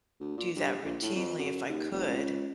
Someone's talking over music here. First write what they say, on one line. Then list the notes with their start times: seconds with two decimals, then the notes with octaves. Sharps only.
do that routinely if I could,
0.20 D2
0.37 A#2
0.56 G2
0.85 A#1
1.02 A2
1.16 F2
1.39 F#2
1.69 D#2
1.92 F1
2.07 C#2